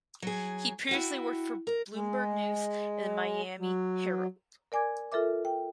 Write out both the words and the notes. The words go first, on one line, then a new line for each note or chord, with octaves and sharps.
He previously worked for Bloomberg News and "The Miami Herald".
F#3 G#4
E4 F#4 G5
A#4
G#3
F#3
A#4 D5 G#5 D6 G#6
F4 A4 A#4 E5 D6
G5